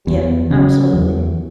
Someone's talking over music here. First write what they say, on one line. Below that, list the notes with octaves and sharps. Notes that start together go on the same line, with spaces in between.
Yeah. Absolutely.
E2
C#3 F#3
E2